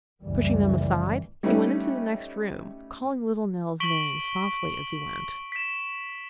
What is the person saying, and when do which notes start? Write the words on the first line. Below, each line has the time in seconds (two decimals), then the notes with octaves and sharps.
Pushing them aside, he went into the next room, calling little Nell's name softly as he went.
0.22 F#1 C#2 E3 G3
1.43 G3 A3 C#4 D#4 B4
3.80 C#6 B6 D7 F#7 G7
5.52 B6 E7